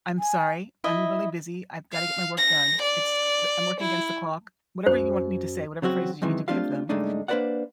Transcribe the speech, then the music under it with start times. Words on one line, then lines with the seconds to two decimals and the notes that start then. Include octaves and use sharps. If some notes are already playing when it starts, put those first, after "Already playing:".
"I'm sorry, I'm really busy, I've gotta get my work done, it's I'm working against the clock", whatever you want me to say, whatever phrases you need to give them.
0.19 G#5
0.84 E4 D#5 E5
1.92 F5
2.37 A#6
2.82 D5
3.80 E4
4.86 F#2 C5
5.82 C#3 F#3 C4 F#4
6.22 F#2 C3 D#3 E3 G#3
6.48 A3 C4 D4 F4 G4 F5
6.89 G2 C#3 G#3 A3 D4 D#4
7.28 A#3 D4 B4 C5 D5 F#5